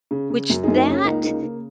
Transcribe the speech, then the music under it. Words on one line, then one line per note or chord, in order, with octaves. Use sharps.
which that
C#3
C#3
F#2
F#2 D#4 G#4
A#3 D#4
C#3 C#4
C#2 A#3 D#4
C#3 A#3 D#4
C#3 A#3